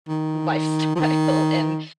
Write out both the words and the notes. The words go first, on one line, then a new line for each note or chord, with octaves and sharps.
lifestyle and
D#3
F3
D#3